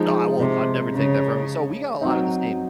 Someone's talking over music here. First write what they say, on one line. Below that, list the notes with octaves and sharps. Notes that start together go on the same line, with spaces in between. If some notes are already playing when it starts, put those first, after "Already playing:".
No, I won't, I'd never take that from you. So, we got a lot of the same
Already playing: F3 G#3 D#4
C3
C#3
F#3 C4 D#4